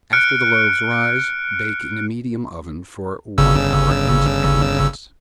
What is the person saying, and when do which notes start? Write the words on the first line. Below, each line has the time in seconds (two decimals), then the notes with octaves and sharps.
After the loaves rise bake in a medium oven for one hour and ten minutes.
0.13 F6 F#6 C#7 D7
3.38 G1 C#3 E6